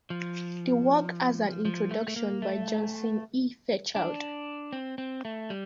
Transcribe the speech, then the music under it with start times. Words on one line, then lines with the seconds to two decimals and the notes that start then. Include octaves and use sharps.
The work has an introduction by Johnson E. Fairchild.
0.10 F3
1.65 F3
1.91 A3
2.08 A3
2.16 A#3
2.42 A3
3.96 D4
4.73 C4
4.98 C4
5.25 A3
5.50 G3